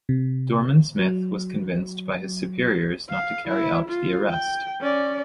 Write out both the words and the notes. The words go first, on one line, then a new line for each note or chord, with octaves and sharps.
Dorman-Smith was convinced by his superiors not to carry out the arrest.
C3
F#3
F5
E4
F4
G5
C#4 D5